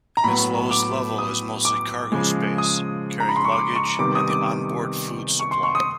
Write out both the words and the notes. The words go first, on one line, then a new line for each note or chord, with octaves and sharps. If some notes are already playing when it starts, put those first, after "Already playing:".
Its lowest level is mostly cargo space, carrying luggage and the onboard food supply.
A#5
A2 F#3 B3 B5
D6
D#6
D6
C#3 F3 G#3
D#6
A#5
B5
C6
C#6
D6
C#6
C3 D#3 G3 B3 D6
D#6
D6
C#6
C6
C#6
D#6